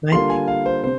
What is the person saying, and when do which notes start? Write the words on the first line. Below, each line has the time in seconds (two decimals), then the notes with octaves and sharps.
my thing.
0.12 D3 G3 A#3 F4 C6
0.30 G#5
0.48 F5
0.66 C5
0.83 C3 C5